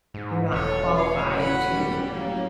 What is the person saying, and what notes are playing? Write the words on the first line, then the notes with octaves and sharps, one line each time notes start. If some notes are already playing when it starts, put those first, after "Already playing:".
you're not qualified to
G#2
E1 A2 F#3 C#4 F4 A4 C#5
C#5 F5
F#5 B5
G3 G4
A#3